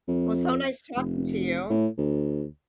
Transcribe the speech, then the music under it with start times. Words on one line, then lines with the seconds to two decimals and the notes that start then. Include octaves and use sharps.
Well, so nice talking to you.
0.08 F2
0.96 F1
1.70 A2
1.97 D2